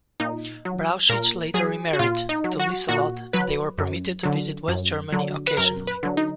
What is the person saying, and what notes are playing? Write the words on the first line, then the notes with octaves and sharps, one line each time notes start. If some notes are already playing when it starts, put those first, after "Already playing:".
Brauchitsch later remarried, to Lieselotte, and they were permitted to visit West Germany occasionally.
A#2 D#4
F#3
A#2 A#4
F#3 G#4
F#4
A#2 F4
D#4
F#3
F#4
A#2 F#4
F#3 B4
F#2
D3 F#3
F#2
D3 F#3
B4
F#2 A#4
B4
D3 F#3
D#4